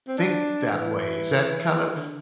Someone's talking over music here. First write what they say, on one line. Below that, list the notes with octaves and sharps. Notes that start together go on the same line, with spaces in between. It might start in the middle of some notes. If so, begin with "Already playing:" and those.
think that way." Is that kind of
C4
D4
E3
E3
D3